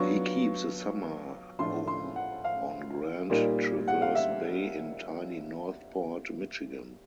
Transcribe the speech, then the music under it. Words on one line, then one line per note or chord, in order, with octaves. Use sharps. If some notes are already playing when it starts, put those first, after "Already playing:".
He keeps a summer home on Grand Traverse Bay in tiny Northport, Michigan.
Already playing: F#3 B3 D4 F4 C#6
A2 F3 A3 D4 F4 C6
C6
F#5
F5
A#2 G3 A#3 D#4
F#5
F5
E5